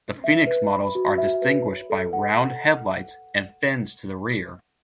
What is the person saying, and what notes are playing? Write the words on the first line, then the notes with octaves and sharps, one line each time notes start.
The Phoenix models are distinguished by round headlights and fins to the rear.
E5
B4
B5
F#4
E5
B4
C#5
A4
F#5